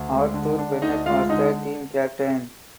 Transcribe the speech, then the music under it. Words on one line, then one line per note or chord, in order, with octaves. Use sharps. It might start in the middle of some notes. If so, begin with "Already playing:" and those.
Arthur Bennett was the team captain.
Already playing: D2
G#3
D3
D4
D2 D#4 D#5
G#3 F4 F5
D3 D#4 D#5